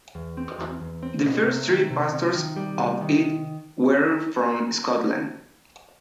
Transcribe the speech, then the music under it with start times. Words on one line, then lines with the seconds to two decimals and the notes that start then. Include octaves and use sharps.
The first three pastors of it were from Scotland.
0.15 E2
0.37 C4
0.58 E2
0.81 E2
1.03 C4
1.25 B2
1.47 C3
1.69 D#3
1.91 C3
2.12 C3
2.35 D#3
2.56 G3
2.78 C3
3.01 D#3